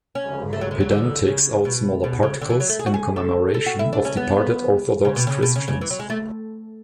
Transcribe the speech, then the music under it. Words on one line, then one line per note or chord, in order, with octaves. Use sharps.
He then takes out smaller particles in commemoration of departed Orthodox Christians.
C#4
A3
F#3
G#3
F#3
D3
C#3
B2
B2
C#3
D3
E3
F#3
A3
G#4
F#4
G#4
A4
A4
F#4
E4
D4
C#4
B3
C#3
B2
C#3
B2
C#3
C#3
E3
F#3
G#3
A3